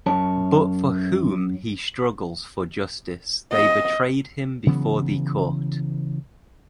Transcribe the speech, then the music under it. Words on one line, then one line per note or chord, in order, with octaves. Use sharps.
But for whom he struggles for justice they betrayed him before the Court.
F#2 C#5 A5
D#5
C#3 E3 F#3 B3